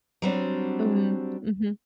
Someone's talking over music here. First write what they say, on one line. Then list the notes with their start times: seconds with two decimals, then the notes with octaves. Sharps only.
Mm, mhm.
0.22 F#3 G3 C4 D4